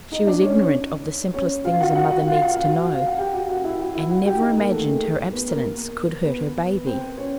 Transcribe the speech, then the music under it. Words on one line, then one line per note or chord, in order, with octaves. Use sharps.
She was ignorant of the simplest things a mother needs to know, and never imagined her abstinence could hurt her baby.
D#4 D#5
D4 D5
C#4 C#5
C#4 C#5
F4 F5
F#4 F#5
F#4 F#5
F#4 F#5
F4 F5
F#5
F5
F#4 F#5
F5
F#5
G4 G5
F#4 F#5
F#4 F#5
E4 E5
F#4 F#5
E4 E5
F#4 F#5
G4 G5
D#4 D#5
A#3 A#4
A3 A4
G#4
G#4
B3 B4
A#3 A#4
B3 B4
C4 C5
C#4 C#5